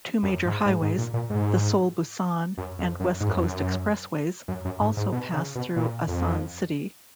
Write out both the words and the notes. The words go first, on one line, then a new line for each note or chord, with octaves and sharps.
Two major highways, the Seoul-Busan and West Coast expressways, also pass through Asan city.
F#2
G#2
G#2
G#2
A#2
A#2
G#2
F#2
F2
F#2
G#2
F#2
F2
F#2
F#2
F#2
G#2
G#2
B2
C#3
B2
A#2
F2